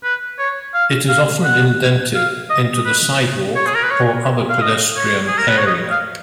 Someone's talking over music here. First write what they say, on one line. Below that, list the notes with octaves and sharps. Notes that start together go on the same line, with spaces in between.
It is often indented into the sidewalk or other pedestrian area.
B4
C#5
F5
F5
F#5
F5
D#5
B4
C#5
G#4
A#4
B4
C#5
F5
D#5
C#5
G#4
A#4
B4
C#5
D#5
F5